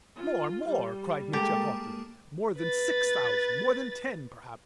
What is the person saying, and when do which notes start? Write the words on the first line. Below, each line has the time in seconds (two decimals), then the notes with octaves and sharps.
More, more," cried Mitya hotly; "more than six thousand, more than ten, perhaps.
0.15 F4
0.66 G3
1.33 G#3 A#3 G4 A4
2.59 B4 A6